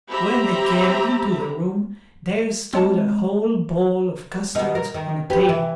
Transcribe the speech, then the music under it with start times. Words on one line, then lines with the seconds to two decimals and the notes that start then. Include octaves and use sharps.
But when they came into the room, there stood a whole bowl of custards on the table.
0.11 C4 G4 E5 A#5 B5
2.73 G#3 C4 C#5 A5
4.55 B2 D#3 D#4
4.75 A#4
4.94 D#3
5.30 G4 B4
5.49 E3